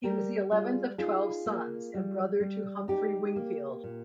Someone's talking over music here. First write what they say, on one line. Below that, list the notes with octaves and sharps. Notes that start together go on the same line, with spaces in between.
He was the eleventh of twelve sons; and brother to Humphrey Wingfield.
G3 G4 A#4
G3 F4 G#4
D#4 F4 G#4
A#3
G3
G3
D#4 G4
A#3
A#2